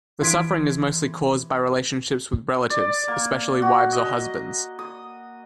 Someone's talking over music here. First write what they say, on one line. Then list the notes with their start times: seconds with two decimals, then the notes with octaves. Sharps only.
The suffering is mostly caused by relationships with relatives, especially wives or husbands.
0.21 E3 C6 G#6 B6 D7
2.70 D5
3.08 A#3
3.62 F#4
3.93 D#5
4.79 D#6